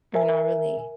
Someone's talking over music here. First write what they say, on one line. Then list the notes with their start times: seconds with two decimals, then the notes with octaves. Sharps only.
Or, not really?
0.15 A#4 E5 G#5